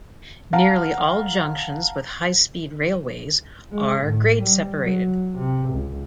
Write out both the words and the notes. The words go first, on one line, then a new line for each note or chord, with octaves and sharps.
Nearly all junctions with high-speed railways are grade-separated.
F5 F#5 A5 A#5 F6
G#3
A2
G3
F#3
C3
C#2